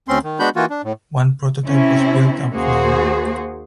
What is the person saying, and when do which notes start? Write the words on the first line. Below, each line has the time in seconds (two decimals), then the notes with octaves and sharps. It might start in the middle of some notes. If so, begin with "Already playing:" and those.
One prototype was built and flown.
0.08 D2 C4 C#4 C6
0.24 D#3
0.39 G#3 B3 D4 F#4 B5 G6
0.56 E3 A#3 F4 F#4
0.70 D4
0.84 A2
1.66 C3 C4 C#4 E4
2.52 D#2 A#3 F#4 G#4 C5